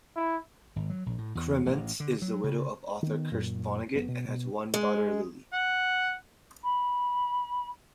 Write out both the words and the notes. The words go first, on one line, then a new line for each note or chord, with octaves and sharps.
Krementz is the widow of author Kurt Vonnegut and has one daughter, Lily.
E4
G#1
F#3
A#1
A2
E2
A1
D3
F#3
C#3
D#3 B3
F#2 A#2
F#1 B2 B3
B2
B2
G#3
F#5
B5